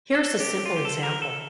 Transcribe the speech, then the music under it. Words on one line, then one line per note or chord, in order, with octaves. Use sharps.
Here is a simple example.
A4
G4
F4
G4
A4
A#4
A4